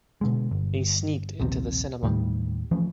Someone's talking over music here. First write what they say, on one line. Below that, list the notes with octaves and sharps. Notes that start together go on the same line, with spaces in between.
They sneaked into the cinema.
B2 D3 G#3
G1
A#1 D#2 C3
D#2 A2 D#3 G3
E3 F3 A3 C#4